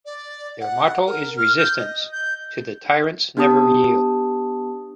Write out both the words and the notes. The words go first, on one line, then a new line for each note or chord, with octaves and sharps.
Their motto is resistance - To the tyrants never yield!
D5
F#5
A#4
F6
G6
D#5
G6
B3 D4 G4 A5 D#6